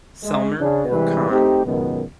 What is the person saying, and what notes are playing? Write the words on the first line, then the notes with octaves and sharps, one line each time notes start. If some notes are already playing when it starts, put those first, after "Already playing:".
Selmer or Conn.
G#3
C#3 D4
C3 E3 G3 G#3 B4
A3 C4 D#4 G4
C#2 F#2 B2 D#3 B3